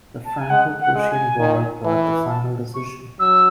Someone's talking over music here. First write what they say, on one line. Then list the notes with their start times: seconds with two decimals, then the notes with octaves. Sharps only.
The Franco-Prussian War brought the final decision.
0.25 A5
0.38 G#5
0.49 G#3 F#5
0.80 F#5
0.95 G#3
1.10 G#5
1.40 D#3
1.85 E3
2.29 A5
2.74 C#6
3.19 F#3 E6